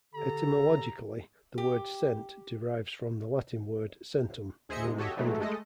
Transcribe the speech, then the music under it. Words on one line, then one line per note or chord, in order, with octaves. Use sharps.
Etymologically, the word "cent" derives from the Latin word "centum" meaning hundred.
D3 G4 A4 A#5
G4
D#2 G#4 C5 D#5 E5 C#7
G#2 C3 G#3
F#4 G4 A4 C#5 D#5 E5
E3 F#3 G#3 A3
G#3 A3 A4 D#5